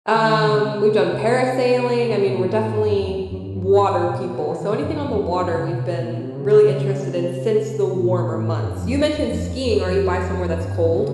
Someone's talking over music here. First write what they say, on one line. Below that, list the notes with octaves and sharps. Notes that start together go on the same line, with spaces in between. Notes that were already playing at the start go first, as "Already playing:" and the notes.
Um, we've done parasailing. I mean, we're definitely w water people, so anything on the water, we've been really interested in since the warmer months. You mentioned skiing. Are you by somewhere that's cold?
D#3
C#3
C3
C#3
C3
C3
C3
B2
A#2
A2
G#2
G2
F#2
F2
E2
F#2
G2
G2
G#2
B2
E3
E3
E3
C3
F#2
G2
F#2
E2
F2
F#2
G2
C#3
B2
A#2
B2
C3
C#3
C#3
C3
C#3
C3
A#2
A2
F#2
F2
E2
E2
F2
F2
E2
F2
G2
C#3